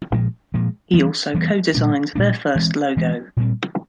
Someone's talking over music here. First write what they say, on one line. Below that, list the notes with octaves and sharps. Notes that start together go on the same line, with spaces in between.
He also co-designed their first logo.
A#2 F3 G#3
A#2 F3 G#3
E3 G3 B3
E3 G3 B3
A#2 G3 A#3 D4
A#2 G3 A#3 D4
E3 G#3 C4
E3 G#3 C4
A#2 G3 C4